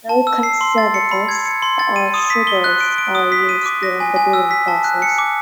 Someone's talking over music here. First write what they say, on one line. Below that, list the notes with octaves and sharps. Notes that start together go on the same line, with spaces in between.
No conservatives or sugars are used during the brewing process.
A5
E6
C7
C6
A6
C#7
B5
G#6
C#7
C6
A6
D#7
D#6
B6
G7
F#6
D7
D7
D#6
B6
D#7
D6
A#6
G#5
G#5
E6
B6
A5
F#6
C#7
D6